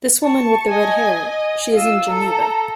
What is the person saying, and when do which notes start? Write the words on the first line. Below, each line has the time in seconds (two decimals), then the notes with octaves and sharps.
This woman with the red hair — she is in Geneva.
0.23 A5 C#6
0.68 D#5 G#5
1.30 D#5
1.73 F4 E6
2.08 A4 A#5